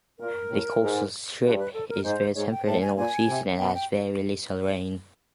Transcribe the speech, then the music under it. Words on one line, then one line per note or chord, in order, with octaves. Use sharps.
The coastal strip is very temperate in all seasons and has very little rain.
A#2 A#4
A2
G#2
G2 B4
B4
A4
A#4
G#2 C5
G#2 C#5
G5
A2 A5
G#5
A#2 G#5
C3
B2 G5
F#5
G5